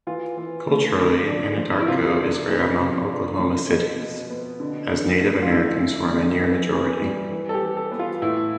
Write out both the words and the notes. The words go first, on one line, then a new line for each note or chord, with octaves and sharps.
Culturally, Anadarko is rare among Oklahoma cities as Native Americans form a near-majority.
E3 F4
E3
A3
D3
D4
F3
E4
C3 F4
D4
E3
C3
D4
F3
B2
B2
B3
D3
D3
A3
F4
D3 E4
D3
F3
E3
E3
G3
E3
A4
G4
E3
A4
B3
F4
A2 E4